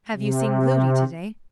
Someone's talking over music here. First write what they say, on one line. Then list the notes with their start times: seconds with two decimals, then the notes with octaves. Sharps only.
"Have you seen Gloody to-day?"
0.15 C3